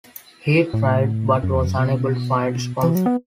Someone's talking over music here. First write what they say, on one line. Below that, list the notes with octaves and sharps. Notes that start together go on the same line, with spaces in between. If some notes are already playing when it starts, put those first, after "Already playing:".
He tried but was unable to find a sponsor.
A2
F#2
E2
F#2
B2
E3
F#3
B3